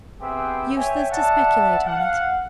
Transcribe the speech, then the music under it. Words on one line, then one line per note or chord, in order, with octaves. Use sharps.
Useless to speculate on it!
B3 C4 G4 G#4 B4 E5
C#5 E5 G5 G#5
D5 E5 F#5 A5
F5 F#5